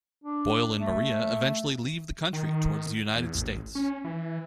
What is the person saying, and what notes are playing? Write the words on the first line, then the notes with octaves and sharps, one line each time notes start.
Boyle and Maria eventually leave the country towards the United States.
D4
A3
D#3
E2
A1
C#4
E3